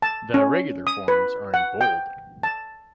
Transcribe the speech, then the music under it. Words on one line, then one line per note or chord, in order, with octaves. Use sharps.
The irregular forms are in bold.
A5
C#4
D#6
B4
F#5
G5
A5